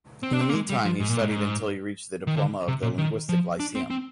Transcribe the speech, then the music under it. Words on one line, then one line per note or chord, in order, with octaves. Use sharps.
In the meantime he studied until he reached the diploma of the Linguistic Lyceum.
C4
D4
C4
A#3
G#3
G3
F3
G#2
A#2
G#2
D#3
D3
C3
A#2
D#3
F3
D4
C4
C4